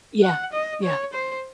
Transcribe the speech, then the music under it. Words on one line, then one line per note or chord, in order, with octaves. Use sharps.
Yeah, yeah.
F#5
D#5
C#5
C5